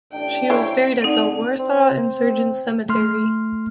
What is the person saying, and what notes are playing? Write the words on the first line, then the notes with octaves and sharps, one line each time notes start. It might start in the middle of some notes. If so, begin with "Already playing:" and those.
She was buried at the Warsaw Insurgents Cemetery.
A1 D4 G5
E4 C5 C#5
D3 C4 D#4
C4
A3 C6 F6